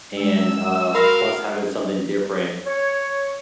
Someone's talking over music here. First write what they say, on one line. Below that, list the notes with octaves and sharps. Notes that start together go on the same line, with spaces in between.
and, uh, plus having something different,
G#3 E6
F#4 A#4 F5 B5 C6 A#6
C#5